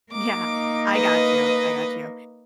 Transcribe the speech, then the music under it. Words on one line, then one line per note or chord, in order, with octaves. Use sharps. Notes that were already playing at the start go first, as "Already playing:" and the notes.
Yeah. I got you. I got you.
A#3 D#4 D6
B4 D#5